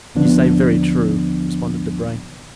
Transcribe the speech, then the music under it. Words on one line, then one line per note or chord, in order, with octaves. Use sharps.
"You say very true," responded Debray.
D#2 D3 F3 B3 D4